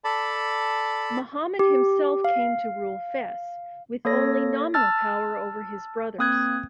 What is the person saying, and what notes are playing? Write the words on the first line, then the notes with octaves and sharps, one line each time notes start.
Muhammad himself came to rule Fes, with only nominal power over his brothers.
A4 D5 A5 B5
G4
F5
A#3 A4 C#5 A#6
A5 E6 F6 A6
A#3 C4 D#6 F#6 G#6